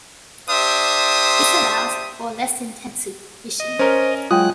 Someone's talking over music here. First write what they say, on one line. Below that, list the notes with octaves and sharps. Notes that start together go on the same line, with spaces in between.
This allows for less-intensive fishing.
D4 G4 C5 E5 D#6
D#5
C#4 A#4 C5
F#3 G#3 F4 G5 D#6 F#6